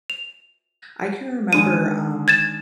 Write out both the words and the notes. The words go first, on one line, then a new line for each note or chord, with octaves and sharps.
I can remember, um,
F7
D#3 G#3 D4 D#7
G#6 A6 E7